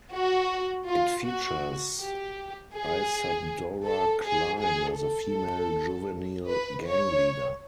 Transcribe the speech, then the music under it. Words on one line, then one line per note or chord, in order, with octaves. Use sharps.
It features Isadora Klein as a female juvenile gang leader.
F#4
F4
F#4
G4
G#4
A4
G#4
G#4
A4
B4
C#5